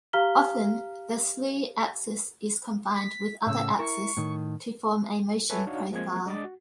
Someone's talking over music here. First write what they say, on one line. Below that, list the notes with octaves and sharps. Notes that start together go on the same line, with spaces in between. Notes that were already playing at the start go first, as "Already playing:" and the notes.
Often the slew axis is combined with other axis to form a motion profile.
G4 F5 A#5 F6 B6 G7
B6
A2 C#3 E6
E4 A#4 C#6
A2 D#3
A4 B4 C#5 E5 G#5 A5
D4 D#4 F#4 C#5 F5 F#5
F3 G#3 A#3 C4 G#6
G#3 D4 D#5 D6 A6
F#4